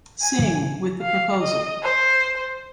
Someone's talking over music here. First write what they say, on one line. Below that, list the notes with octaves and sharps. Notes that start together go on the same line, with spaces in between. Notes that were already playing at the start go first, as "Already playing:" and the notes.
Singh with the proposal.
G#5
F5
D#5
C5